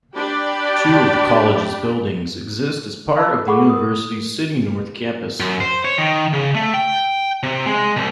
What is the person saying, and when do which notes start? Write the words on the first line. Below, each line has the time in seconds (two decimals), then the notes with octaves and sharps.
Two of the college's buildings exist as part of the university's City North Campus.
0.16 D4 G4 D5 G5 B5
3.16 F5 A5 B5 E6
3.46 G#4 A4 F#5 B5 C#6 D6
3.69 A#4 D#6
5.40 F#2
5.61 C5
5.85 C#5
5.98 D#3
6.33 C#3
6.55 A3
6.74 G5
7.43 C3
7.66 G#3
7.97 C2